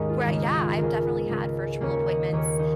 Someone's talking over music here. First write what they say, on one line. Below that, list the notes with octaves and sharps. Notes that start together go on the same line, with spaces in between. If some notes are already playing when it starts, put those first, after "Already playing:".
Well, yeah, I've definitely had virtual appointments,
Already playing: D#2 G#2 G#3 A#3 C#4 D#4 C#5 D#5
F4
D#2 C#3 G#3 C#4 D#4
F4
C#2 C#3 G#3 C#4 A#4
C#2 C#3 G#3 C#4
D#2 C#3 A#3 C#4 C#5
D#5
D#2 C#3 A#3 C#4 C#5
D#4